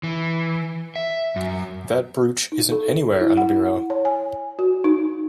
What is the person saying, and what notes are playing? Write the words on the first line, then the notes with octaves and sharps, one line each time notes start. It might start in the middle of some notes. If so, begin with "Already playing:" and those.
That brooch isn’t anywhere on the bureau.
E3
E5
F#2
D#4
A4
E4
F#5
C#5
G#5
F#4
D#4